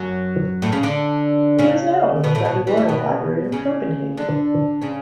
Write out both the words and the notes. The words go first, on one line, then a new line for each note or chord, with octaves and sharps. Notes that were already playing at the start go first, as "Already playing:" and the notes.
It is now owned by the Royal Library of Copenhagen.
Already playing: F#2 F#3
A2 A3
C#3 C#4
D3 D4
C#3 C#4
B2 B3
A2 A3
B2 B3
E2 E3
G2 G3
B2 B3
C#3 C#4
D3 D4
C#3 C#4